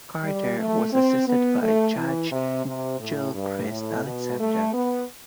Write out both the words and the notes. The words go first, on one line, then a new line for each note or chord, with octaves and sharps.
Carter was assisted by Judge Gilchrist Alexander.
G3
A3
C4
B3
A3
E3
C3
C3
A2
G2
A2
B2
A3
B3